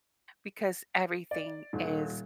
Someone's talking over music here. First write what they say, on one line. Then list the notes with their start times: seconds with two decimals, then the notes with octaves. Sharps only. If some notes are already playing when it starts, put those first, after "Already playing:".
because everything is
1.31 D5
1.73 D#1